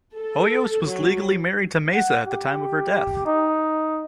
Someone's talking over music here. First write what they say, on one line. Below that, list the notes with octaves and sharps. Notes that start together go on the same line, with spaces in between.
Hoyos was legally married to Mesa at the time of her death.
A4
F#3
F#5
G4
D#4